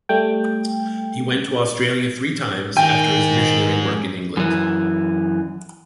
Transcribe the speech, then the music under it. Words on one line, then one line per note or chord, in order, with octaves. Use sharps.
He went to Australia three times after his missionary work in England.
G3 A3 G5
G#2 D#3 G5 G#5
F#2 E3